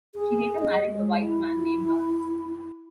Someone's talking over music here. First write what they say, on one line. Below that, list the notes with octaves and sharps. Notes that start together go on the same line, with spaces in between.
She later married a white man named Dorris.
G#4
D#5
G#3
E4